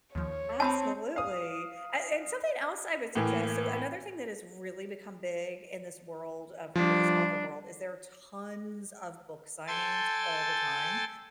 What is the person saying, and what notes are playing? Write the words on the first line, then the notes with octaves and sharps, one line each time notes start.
absolutely. A And something else I would suggest, so another thing that has really become big in this world of, you know, this author world is there are tons of book signings all the time,
D#2 F3 C#5
C4 G5 A5 B5 D6
F5 D#6
A2 E3 A#3
F3 G3 D4
A4 G5 G#5 C6 A6